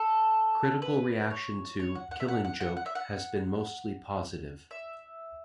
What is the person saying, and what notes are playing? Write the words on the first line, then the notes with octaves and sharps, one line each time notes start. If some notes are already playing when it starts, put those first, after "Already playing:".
Critical reaction to "Killing Joke" has been mostly positive.
Already playing: A4
B4
C#5
C#5
F#5
F#5
E5
F#5
F#5
F#5
F#5
E5
F#5
E5